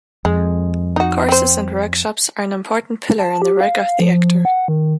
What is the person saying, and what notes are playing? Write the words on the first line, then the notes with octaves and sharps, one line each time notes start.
Courses and workshops are an important pillar in the work of the actor.
F2 G#3
D#4 F#4
C4 C5
A5
G4
F5
F3
F#5
D#3